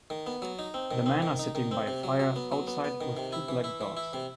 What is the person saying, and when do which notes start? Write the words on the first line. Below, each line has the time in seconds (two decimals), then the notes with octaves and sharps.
The men are sitting by a fire outside with two black dogs.
0.10 D#3
0.27 B3
0.42 F#3
0.59 D#4
0.74 C4
0.91 D#3
1.06 C4
1.22 D#3
1.39 D#4
1.55 D#3
1.71 C4
1.87 C3
2.03 F#3
2.19 F#3
2.36 B3
2.52 F#3
2.67 B3
2.84 B3
3.01 D#3
3.17 C3
3.33 E4
3.48 E3
3.64 E4
3.81 E3
3.97 E4
4.13 C3